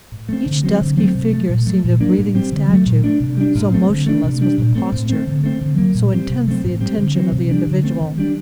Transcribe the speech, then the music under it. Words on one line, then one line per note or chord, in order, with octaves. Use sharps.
Each dusky figure seemed a breathing statue, so motionless was the posture, so intense the attention of the individual.
A2
A3 C4
D3
F#3 C4
D3
F#3 A3 C4
C3
F#3 A3
A#2
F#3 A3
A#2
F#3 A#3 D4
A2
G3 C4
D3
F#3 A3
A#2
A3 D4
C3
G3 D4
A2
F#3 A3 C4
D3
A3 D4
C3
G3 D4
A#2
A3 C4
A2
A3 C4
D3
A3 C4
D3
F#3 A#3
A#2
G3 C4
C3
F#3 A3 C4
A2
G3 C4
D3
F#3 C4
C3
G3 A#3 D4
D3
A3 C4
D#3
G3 D4